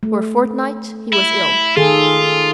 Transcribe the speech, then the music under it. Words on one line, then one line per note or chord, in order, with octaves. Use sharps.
For a fortnight he was ill.
A3
E4
D#3 F4 G#4 A4